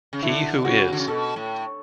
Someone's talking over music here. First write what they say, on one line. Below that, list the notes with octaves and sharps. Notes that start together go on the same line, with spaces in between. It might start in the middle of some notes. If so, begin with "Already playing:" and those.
"He Who Is".
C#3
D3 E4
C#3 F#4
D3
C#3
B2 A4
A2